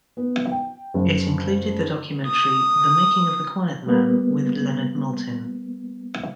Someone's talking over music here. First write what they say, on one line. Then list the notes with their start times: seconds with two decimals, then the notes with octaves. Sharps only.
It included the documentary "The Making of the Quiet Man" with Leonard Maltin.
0.17 B3
0.51 G5
0.94 F#1
2.27 D#6
3.86 G3 A#3 B3